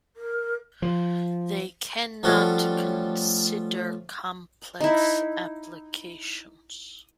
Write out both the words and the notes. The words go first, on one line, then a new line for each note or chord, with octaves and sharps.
They cannot consider complex applications.
A#4
F3
F3 G3 A3 C#4 F#4
D#4 E4